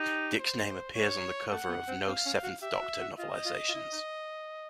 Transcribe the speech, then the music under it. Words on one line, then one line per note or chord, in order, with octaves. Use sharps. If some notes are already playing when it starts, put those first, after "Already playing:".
Dicks' name appears on the cover of no Seventh Doctor novelisations.
Already playing: D#4 G4
C5
C#5
A3 F#5
B3
C4
C4 F5
C#4
F#4
G4 E5
F#4
F#4
F4 D#5
F4
F4
E4
D#4